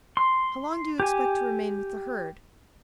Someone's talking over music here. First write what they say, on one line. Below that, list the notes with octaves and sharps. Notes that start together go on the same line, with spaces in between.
How long do you expect to remain with the herd?
C6
G4 G#5